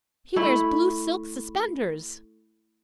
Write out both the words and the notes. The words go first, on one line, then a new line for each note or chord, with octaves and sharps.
"He wears blue silk suspenders."
A3 E4